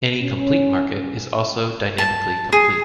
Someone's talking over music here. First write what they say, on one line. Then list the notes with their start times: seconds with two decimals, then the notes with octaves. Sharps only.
Any complete market is also dynamically complete.
0.22 C#4
1.98 A5
2.53 G#4